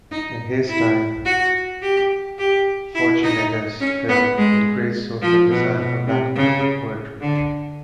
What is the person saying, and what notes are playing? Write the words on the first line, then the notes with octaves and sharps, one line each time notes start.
In his time, Fortunatus filled a great social desire for Latin poetry.
D#4
E4
F#4
G4
G4
E4
D#4
C#4
B3
G#3
F3
B2
B2
C3
C#3
D3